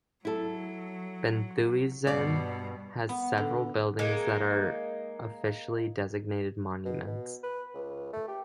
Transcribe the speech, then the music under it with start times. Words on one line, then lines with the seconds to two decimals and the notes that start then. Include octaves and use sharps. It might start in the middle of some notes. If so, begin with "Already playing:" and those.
Benthuizen has several buildings that are officially designated monuments.
0.25 F#3 E4 A4
2.07 G2 B2 D5
3.09 B3
3.38 D3
3.99 G#3 A#3 D#4
6.85 B2
7.07 B2
7.43 B4
7.74 C#2
8.13 A3
8.28 G4